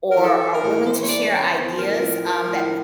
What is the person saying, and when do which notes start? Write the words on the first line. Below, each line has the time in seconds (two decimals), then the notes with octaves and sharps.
or are willing to share ideas, um, that
0.12 E3 A#4
0.23 A4
0.38 E3
0.54 A#4
0.62 A2
0.85 E3 C5
1.02 C#5
1.08 E2 D5
1.31 C#3 C#5
1.54 E2 C5
1.78 A2 A#4
2.02 F3
2.25 F3 A#4
2.48 A2